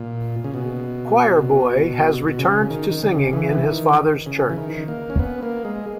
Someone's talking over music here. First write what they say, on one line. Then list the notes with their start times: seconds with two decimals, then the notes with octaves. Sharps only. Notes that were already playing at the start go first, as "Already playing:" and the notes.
Choir Boy has returned to singing in his father's church.
Already playing: A#2
0.44 C#3
0.54 B2
2.28 B2
2.39 C#3
2.70 D#3
2.91 D#3
3.02 C#3
3.33 E3
3.64 D#3
4.26 C#3
4.50 E3
4.56 D#3
4.88 A#3
5.10 C#4
5.19 B3
5.43 A#3
5.65 G#3